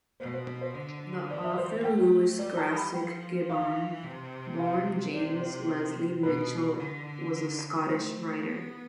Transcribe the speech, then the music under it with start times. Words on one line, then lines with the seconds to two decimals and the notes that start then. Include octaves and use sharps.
The author Lewis Grassic Gibbon, born James Leslie Mitchell, was a Scottish writer.
0.20 B2 C5
0.34 C5
0.61 C5
0.74 D3
1.30 E3 D5
1.43 E5
1.57 C5
1.71 C5
1.84 A3 G5
2.39 G3 D5
2.57 A5
2.76 B5
2.94 F3 G5
3.49 E3 F5
4.04 C3
4.59 F5
5.14 C3 D5
5.40 C5
6.23 B2 B4
6.78 D3
7.87 A3 C5
8.42 B3